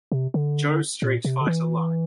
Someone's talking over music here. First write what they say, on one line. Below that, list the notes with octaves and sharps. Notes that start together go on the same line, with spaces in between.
Joe Street Fighter line.
C3
D3
A#2
C3
D3
E3